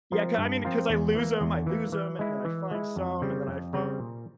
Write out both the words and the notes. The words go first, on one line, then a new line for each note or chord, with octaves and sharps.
Yeah, 'ca I mean, 'cause I lose 'em I lose 'em, and then I find some, and then I fi
F3 C4 F4 A#4
G2
F3 C4 F4 A#4
E2
E3 A#3
E2
E3 A#3
E3
G#3 E4
E3
G#3 E4
F2
C#3 G3 C4
F2
C#3 G3 C4
A#2